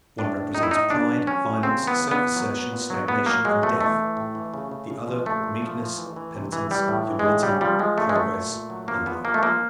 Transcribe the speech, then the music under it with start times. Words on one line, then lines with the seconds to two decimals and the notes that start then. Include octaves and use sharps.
One represents pride, violence, self-assertion, stagnation, and death; the other, meekness, penitence, humility, progress, and life.
0.19 A2 D4
0.37 A2
0.54 A2 D#4
0.63 E4
0.71 A2 D#4
0.90 C#3 D4
1.09 F#3
1.27 F#3 C#4
1.45 F#3
1.63 C#3 C4
1.82 E3
1.87 B3
1.99 C#3
2.11 B3
2.18 E3
2.36 F#3
2.54 F#3
2.72 A#2
2.90 F#3
3.08 F#3 B3
3.26 F#3 A#3
3.45 F#3 G#3
3.62 B2 A3
3.81 E3 A3
3.99 E3
4.17 A2
4.35 E3
4.54 C#3
4.71 C#3
4.90 C#3
5.08 F3
5.26 A#2 A3
5.44 A#2
5.62 F3
5.80 F3
5.98 E3
6.16 E3
6.35 C3
6.52 E3
6.71 E3 G3
6.88 A2
7.07 E3
7.19 G#3
7.25 A2
7.43 C#3 G3
7.61 F3 G3
7.79 F3 G#3
7.97 C#3 A3
8.09 G#3
8.16 F#3 A3
8.34 A#2
8.52 A#2
8.70 F#3
8.88 F3 A#3
9.06 F3 B3
9.25 F3 A#3
9.34 A3
9.42 F3 A#3